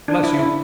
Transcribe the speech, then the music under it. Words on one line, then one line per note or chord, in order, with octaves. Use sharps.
Bless you!'
D4
E4
E4